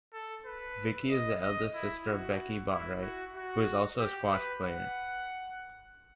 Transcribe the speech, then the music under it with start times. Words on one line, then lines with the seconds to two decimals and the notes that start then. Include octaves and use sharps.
Vicky is the elder sister of Becky Botwright, who is also a squash player.
0.13 A4
0.45 B4
1.10 D#5
1.42 D#5
1.74 E4
2.06 F#4
2.70 E4
3.02 F#4
3.35 F#4
3.99 G4
4.31 B4
4.63 F#5